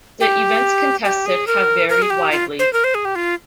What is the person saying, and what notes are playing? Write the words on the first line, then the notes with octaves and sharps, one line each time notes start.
The events contested have varied widely.
G4
G4
G#4
A#4
A#4
G#4
G4
F4
C5
A#4
C5
G#4
G4
F4